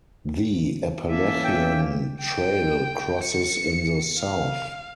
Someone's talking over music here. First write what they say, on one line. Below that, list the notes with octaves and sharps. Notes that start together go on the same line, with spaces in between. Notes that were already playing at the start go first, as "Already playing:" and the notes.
The Appalachian Trail crosses in the south.
E3 A#3 C#4 A4 E5
G5
G5
C#7
F5